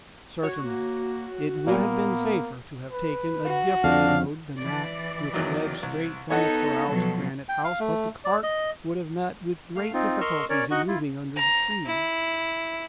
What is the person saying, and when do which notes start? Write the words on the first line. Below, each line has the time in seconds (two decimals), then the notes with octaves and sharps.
Certainly, it would have been safer to have taken a different road than that which led straight from the corral to Granite House, but the cart would have met with great difficulties in moving under the trees.
0.43 F#4 C#5
0.61 A#3
1.67 A#2 A#3 B3
2.92 B4
3.44 F#4
3.84 F2 D3 D4 F5
4.59 E3 D5
5.34 E2 D#3 F#3
5.83 C2
6.30 B3 D#4 A4 C#5 D#5 F#5
6.90 B2 F3 F#3
7.49 G5
7.64 F5
7.80 A3
8.25 D5
8.43 D#5
9.76 A3 F5
9.93 C4 D#4 F4
10.21 A#4 D#5 C6 C#6 E6 F6
10.50 C#4 A#4 C#5 D5
10.71 D#4 F#4 D#5 F#5 C#6
10.88 E4 F4
11.36 A#5
11.87 E4